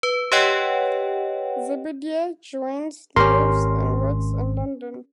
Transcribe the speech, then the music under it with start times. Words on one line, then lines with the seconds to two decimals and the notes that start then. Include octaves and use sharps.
Zebedee Jones lives and works in London.
0.03 B4
0.32 G4 B4 C#5 D#5 F#5 G5
3.16 G#1 C#4 G4 A#4 C6